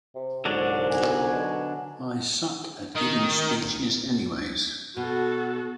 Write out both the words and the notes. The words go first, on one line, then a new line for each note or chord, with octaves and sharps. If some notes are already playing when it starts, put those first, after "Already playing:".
I suck at giving speeches anyways.
C3
C2 G#2 D3 F#3 D4
B1 G#5
B2
D#3
B2 F#4 A4